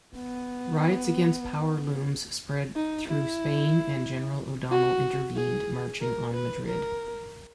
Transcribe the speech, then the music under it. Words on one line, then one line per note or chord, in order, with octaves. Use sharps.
Riots against power looms spread through Spain, and General O'Donnell intervened, marching on Madrid.
B3
D#4
E4
F#4
G#4
A#4
B4
A#4